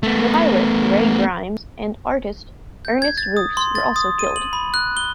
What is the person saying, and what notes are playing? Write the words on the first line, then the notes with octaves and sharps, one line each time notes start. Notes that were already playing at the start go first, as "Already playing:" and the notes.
The pilot, Ray Grimes, and artist Ernest Roose were also killed.
A3 B3
G6
G#6
A6
D#6
C6
A6
D#6
D#7
F#7
B5
F#6
G7